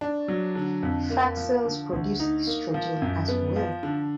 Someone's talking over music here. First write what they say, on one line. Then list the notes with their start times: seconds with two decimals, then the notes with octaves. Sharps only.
Fat cells produce estrogen as well.
0.01 D4
0.28 F#3
0.55 D3
0.83 F2
1.10 A#3
1.37 F3
1.65 D3
1.92 D2
2.20 D#4
2.47 A#3
2.74 F3
3.02 F#2
3.28 B3
3.56 F3
3.83 D3